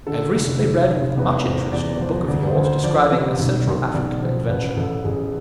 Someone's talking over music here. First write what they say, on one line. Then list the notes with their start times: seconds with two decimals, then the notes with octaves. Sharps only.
I have recently read with much interest a book of yours describing a Central African adventure.
0.07 D3 A4
0.35 F1
0.63 F1
0.90 F1
1.17 E2 B4
1.45 E2 C5
1.72 E2 D5
2.00 F3 C5
2.28 D2 D5
2.47 C5
2.56 D2
2.65 C5
2.84 F3 D5
3.12 C3
3.39 B1
3.67 B1
3.94 B1 D5
4.22 F3 C5
4.49 A1 B4
4.77 A1 A4
5.04 A1 G#4